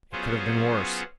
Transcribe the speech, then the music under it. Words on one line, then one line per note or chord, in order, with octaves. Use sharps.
It could have been worse.
F#3 B3 C#4 F4 G#4 C5